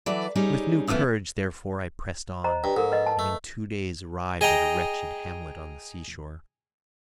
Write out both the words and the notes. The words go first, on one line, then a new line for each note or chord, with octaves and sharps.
With new courage, therefore, I pressed on, and in two days arrived at a wretched hamlet on the seashore.
E3 F#3 A4 B4 D5
G3 C#4 D#4 G#4
F#2 E3 F3 A3 B3
C5 D#5 A#5
G2
G#2 A4 A#4
B4 D#5
A5
A3
G#4 D#5 G5 A#5